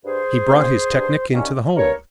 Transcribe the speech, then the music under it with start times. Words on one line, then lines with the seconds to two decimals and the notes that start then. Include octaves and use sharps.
He brought his technic into the home.
0.04 G2 G#4 C5
0.48 D#3 G3 A#3 C#4
0.90 G2
1.33 D#3 G3 A#3 C#4
1.76 G2 A#4 C#5